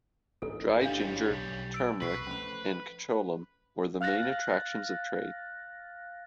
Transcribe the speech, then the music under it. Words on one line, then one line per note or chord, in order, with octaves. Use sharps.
Dry Ginger, Turmeric and Kacholam were the main attractions of trade.
A1 G#2 D#3 A4
G3 C#4 D4 G4 F5
B1
E6 D7
C2 B2 B4 C#6 B6 C7
F3 F#3 A3 C#4 B5
F5 F6 F#6 A6 A#6